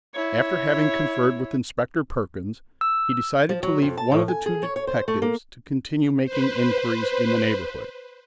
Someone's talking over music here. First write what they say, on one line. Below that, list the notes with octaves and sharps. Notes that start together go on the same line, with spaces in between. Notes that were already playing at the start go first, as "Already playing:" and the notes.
After having conferred with Inspector Perkins, he decided to leave one of the two detectives to continue making inquiries in the neighbourhood.
E4 C#5
E6
F3
F#3
F2
A5
A2
G#5
G#4
C#5
C#5
C5
A3
A#3
B4 C5